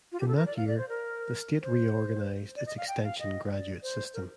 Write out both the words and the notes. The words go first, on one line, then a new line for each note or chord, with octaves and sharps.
In that year, the state reorganized its extension graduate system.
F4
G4
A4
A#4
D5
F5
D5
C5
A#4
C5
D5
D#5
F5
G5
F5
D#5
D5
C5
A#4